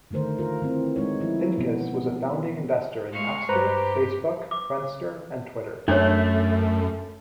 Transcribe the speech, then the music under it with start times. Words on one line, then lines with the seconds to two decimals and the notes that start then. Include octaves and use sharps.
Pincus was a founding investor in Napster, Facebook, Friendster, and Twitter.
0.11 D3 D#3 A3 A#4 C5
0.39 F4 A#4
0.62 E3 C4
0.96 G#3 D#4 C#5
1.20 E3 F3 E4
1.58 B2 E3 B3
3.12 G#3 F5 C#6
3.49 G2 G4 B4 C5 A#5
4.51 D6
5.88 F#2 A3 D4 C#5